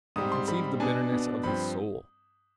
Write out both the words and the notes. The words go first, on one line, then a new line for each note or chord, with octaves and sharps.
You conceive the bitterness of his soul.
G#2 G3 C4 D#6
C6
G#2 G3 C4 B5
B2 B3 D4 G#5
B2 B3 D4
G2 F3 C4 B5